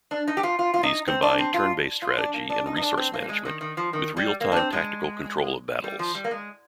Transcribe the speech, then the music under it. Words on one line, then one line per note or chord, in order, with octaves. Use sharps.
These combine turn-based strategy and resource management, with real-time tactical control of battles.
D4
D#4
G4
F4
F4
F4
D#4
C4
D4
C4
F4
F4
D4
A#3
D4
D#4
D#4
D4
C4
A#3
G3
G#3
D#3
D#3
F3
D#3
G3
A#3
D4
C4
G#3
G3
F3
G3
A#3
G#3